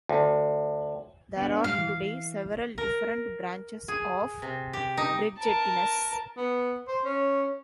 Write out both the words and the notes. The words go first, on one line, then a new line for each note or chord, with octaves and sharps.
There are today several different branches of Bridgettines.
D2
B3 D4 F#4
G#2 G3 F5
E3
A#4
G#4
C3
G4
D#4
A#4 A5
B3
C5
C#4